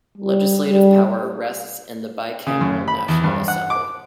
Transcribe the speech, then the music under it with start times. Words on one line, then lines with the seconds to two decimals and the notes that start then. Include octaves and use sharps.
Legislative power rests in the bicameral National Assembly.
0.18 G3
0.70 G3
2.47 C#3
2.61 F#2
2.88 B5
3.08 E2
3.24 G2
3.48 F#5
3.70 D6